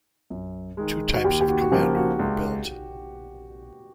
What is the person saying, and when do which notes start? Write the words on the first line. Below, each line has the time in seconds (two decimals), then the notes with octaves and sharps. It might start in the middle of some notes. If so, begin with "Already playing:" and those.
Two types of Commander were built.
0.30 F#2
0.77 D#3 G#3
1.13 F#4
1.24 D#2 G4
1.41 G4
1.48 F#4
1.61 F#4
1.72 C#3 F3 A#3 G4
1.96 F#4
2.19 C#2